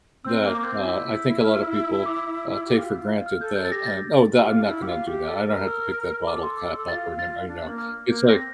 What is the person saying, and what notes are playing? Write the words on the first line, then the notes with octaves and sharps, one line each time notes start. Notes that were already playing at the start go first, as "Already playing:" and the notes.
that, uh, I think a lot of people, uh, take for granted that, "I'm oh, that, I'm not going to do that. I don't have to pick that bottle cap up, or never" you know, it's like,
C4 E6
A#3
D6
C4
E4
F6
D6
G4
F4
E4
F4
F6
A4 G6
A4 G6
A6
G4 A#6
A6
G4
F4 F6
D4
E4
G4
F4
G4
A4
A#4
E6
A#4
A4 D6
C6
D6
E6
F4 A6
A6
D4
A#3
F6
A#3 G6
C4 A#6